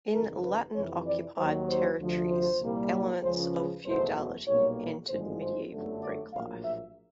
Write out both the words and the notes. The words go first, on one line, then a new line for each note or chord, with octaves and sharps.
In Latin-occupied territories, elements of feudality entered medieval Greek life.
G#1 F#2 C#3 E3 A#4
B4
F2 C3 E3 C#5
D5
D#2 D#3 F#3 C5
C5
D2 C3 F3
C5
C2 A#2 G3 A#3
C#2 C#3 F3 C5
B4
F#1 E2 B2 F#3 A3 C5
B1 A#2 G3 A#3 C#5
G#1 G2 D3 F3 G#3 C5
C5
G1 F#2 D3 F#3 A3
D5
A#1 A2 F#3 A#3 F5
E5